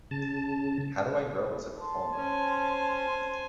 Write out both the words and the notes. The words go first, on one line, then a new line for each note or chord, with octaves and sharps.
How do I grow as a performer?
C#3 A5
A5 C6
C#4 C5 G#5